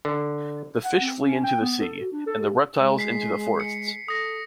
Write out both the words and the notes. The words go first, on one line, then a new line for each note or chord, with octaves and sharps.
The fish flee into the sea, and the reptiles into the forests.
D3
F#5
C4
C#4
G5
B3
A4
F#4
D4
A4
G4
G#3
B6 C7
C#7
A4 D#6 A#6